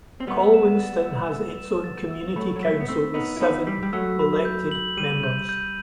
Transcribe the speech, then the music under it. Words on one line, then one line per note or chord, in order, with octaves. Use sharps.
Colwinston has its own community council with seven elected members.
C4
G3 B3 E6
E7
A6
E6
E6
E7
A6
E6
F#3 A3 B5
F#3
G3 B6
A3
B3
A3 C4 E6
B3 D#4 B5
E4
B3 D#4 B5
G3 B6
G3
F#3 A3 E6
B5
G6
F#7
G3 D#7
G6
G6